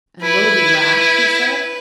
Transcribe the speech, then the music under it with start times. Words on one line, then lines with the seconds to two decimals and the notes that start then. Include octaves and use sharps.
"And Willoughby laughed?" he said.
0.22 E4 B4